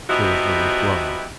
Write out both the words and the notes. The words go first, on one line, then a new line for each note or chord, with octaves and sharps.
There was no reply.
F3 B3 D#4 E4 F#4 G4